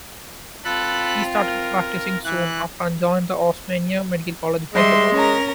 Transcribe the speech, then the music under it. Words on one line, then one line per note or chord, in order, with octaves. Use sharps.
He started practising soon after and joined the "Osmania Medical College," Hyderabad.
C4 F4 A4 B5 F#6
A#4
E3 F#6
G3 G#3 E5 C6
C#4 A#4 A#5